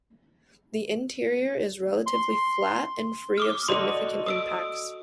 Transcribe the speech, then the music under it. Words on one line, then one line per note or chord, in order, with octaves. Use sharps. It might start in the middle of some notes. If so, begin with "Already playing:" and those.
The interior is relatively flat and free of significant impacts.
C6
D6 D#6 F6
F#4 A4 D5 D#5 C6
D#6 E6 D7